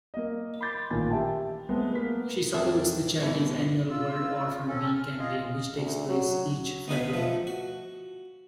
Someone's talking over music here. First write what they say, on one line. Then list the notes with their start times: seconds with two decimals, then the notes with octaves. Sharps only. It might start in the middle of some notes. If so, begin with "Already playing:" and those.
She supports the charity's annual World Orphan Week campaign, which takes place each February.
0.14 A#3 D#5
0.61 B5 C6 D6 G6 A6
0.91 A1 A#2 D#3 A#3 G#5 A6
1.10 G4 E5 G5 A5
1.69 G#3 A3 B3 C4
1.95 A#3 B3 B6
2.54 F2 D4 G#4 A#4 E5 G5
3.20 G2 E3 B3 C#4 B5
3.90 F4 E6
4.68 C4 C#4 A4
4.95 F6
5.19 F4 G#4 D#5 F5
5.74 D2
6.08 F#3
6.88 D2 B3 D#4 G#4 B5
7.14 F3 A3
7.47 F#4